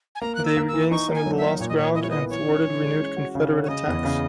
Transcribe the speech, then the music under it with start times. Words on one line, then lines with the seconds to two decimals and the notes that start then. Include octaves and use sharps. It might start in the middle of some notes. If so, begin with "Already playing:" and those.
They regained some of the lost ground and thwarted renewed Confederate attacks.
0.15 G#5
0.21 A#3 A#5
0.35 F#6
0.40 A#3
0.45 E6
0.57 A#3
0.68 E6
0.73 E3
0.91 D#4 C#6
1.08 A#3
1.15 G#5
1.26 F#3
1.37 E5
1.43 A#3
1.60 A#2 C#5
1.69 D#5
1.77 A#2 C#5
1.95 E4 D#5
2.03 C#5
2.10 B3 D#5
2.30 E3 C#5
2.47 C#4
2.65 E3
2.82 G#3
3.00 C#4
3.17 F#4
3.35 C#3
3.52 C#4
3.65 C#5
3.69 C#3 D#5
3.87 E2
4.05 C#3